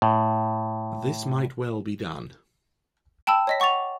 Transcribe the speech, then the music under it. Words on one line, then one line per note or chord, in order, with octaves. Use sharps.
This might well be done.
A2
G5 A5 B5 E6
C#5 D#5 B6
F#5 C#6 D6 A6 F7